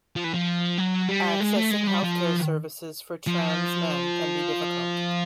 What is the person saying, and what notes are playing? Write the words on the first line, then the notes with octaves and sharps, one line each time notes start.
Accessing health care services for trans men can be difficult.
F3
E3
F3
F#3
G3
G#3
A3
G#3
G3
F3
F3